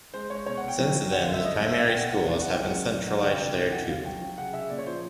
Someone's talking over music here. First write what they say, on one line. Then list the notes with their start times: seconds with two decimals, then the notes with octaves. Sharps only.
Since then the primary schools have been centralized there too.
0.14 G#3 C5
0.30 G#3 C#5
0.46 B2 C#5
0.57 F#5
0.63 B2 G5
0.79 F#3
0.95 F#3
1.12 D3 F#5
1.23 F5
1.28 D3
1.34 E5
1.44 G3 D#5
1.55 D#5
1.61 G3
1.66 E5
1.77 B2 F5
1.88 G5
1.93 B2
1.99 F#5
2.09 C#3 F#5
2.26 E3 F5
2.42 C#3 F#5
2.53 G5
2.59 G#3
2.64 F#5
2.75 F#3
2.91 F#3
3.07 D3 F#5
3.18 F#5
3.24 D3
3.29 G5
3.40 C3
3.56 E3
3.72 C3 F#5
3.89 G3 F5
4.05 F#3 G5
4.21 F#3
4.38 C#3 F#5
4.54 C#3 E5
4.70 A#2 D5
4.78 C#5
4.87 F3 C5